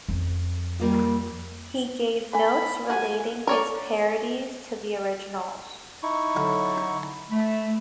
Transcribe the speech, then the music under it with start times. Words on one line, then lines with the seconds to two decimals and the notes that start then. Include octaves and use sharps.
He gave notes relating his parodies to the originals.
0.09 F2
0.79 G3 A#3 F4
2.33 A3 G#5 B5
2.90 F3 G3 F#4 G#5
3.47 A#4 C#5 D5
6.03 D#4 E4 C#6
6.36 D3 F#3
7.31 A3 B5